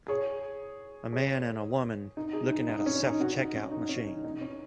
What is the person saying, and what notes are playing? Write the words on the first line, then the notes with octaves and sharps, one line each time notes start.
A man and a woman looking at a self check out machine.
G#4 C#5
G#4 C#5
D#4
D#4 G#4
D#4
D#4
C#4
D#4
C#4 F#4
D#4
C#4
D#4
C#4
D#4
D#4
C#4